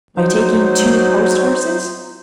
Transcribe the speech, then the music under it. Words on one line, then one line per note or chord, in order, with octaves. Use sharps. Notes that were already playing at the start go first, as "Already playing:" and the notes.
"By taking two post-horses?"
F#3 D#4 C5